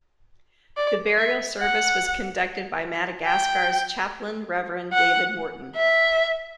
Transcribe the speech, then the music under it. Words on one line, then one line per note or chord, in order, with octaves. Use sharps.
The burial service was conducted by "Madagascar"'s Chaplain Reverend David Morton.
D5
E5
F#5
G5
F#5
E5